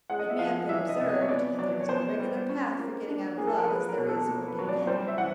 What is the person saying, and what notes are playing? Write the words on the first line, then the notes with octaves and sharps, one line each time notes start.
It may have been observed that there is no regular path for getting out of love as there is for getting in.
G#3 F#5
D#5
E5
F3 F5
E3 E5
D#5
C3 E5
D#5
C#5
B3 D5
F#3 D5
C#5
B3 C5
G3
C#4
A#3
D4
A#3 G#4
A4
A#4
G#3 B4
A#4
B2
A4
A#3
B4
F#3
D5
G3 C5
E5
E3 F#5